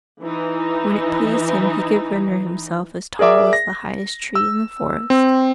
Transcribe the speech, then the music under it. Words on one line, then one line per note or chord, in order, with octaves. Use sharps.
When it pleased him he could render himself as tall as the highest tree in the forest.
E3 D#4
G#4 A#4 D5 E5 D6
A#6
E6
C4